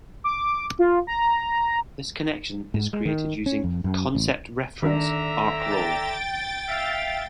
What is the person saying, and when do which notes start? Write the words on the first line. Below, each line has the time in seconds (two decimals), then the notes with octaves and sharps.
This connection is created using "concept-reference" arcrole.
0.24 D6
0.79 F4
1.07 A#5
2.74 G#2
2.93 G#3
3.05 D#3
3.46 C#4
3.64 F2
3.84 F#2
4.15 A1
4.82 D3 D#3 D4 E5 A#5
5.61 G5 A6
6.68 E5 F5